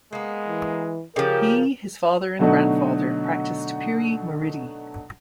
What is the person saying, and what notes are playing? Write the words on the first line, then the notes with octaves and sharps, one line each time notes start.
He, his father and grandfather practised piri-muridi.
G#3 A#3 B3
E3
C#3 F3 G4 A#4
B2 D3 F#3 A3 D#4 F#4